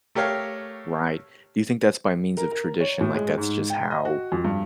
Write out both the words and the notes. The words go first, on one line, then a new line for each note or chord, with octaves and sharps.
Right? Do you think that's by means of tradition? Like, that's just how
A3 G4 A#4 C#5 F5
A#4
A#4
C#5
A2
G#3
G#2
G5
D#5
F#4
F2
G2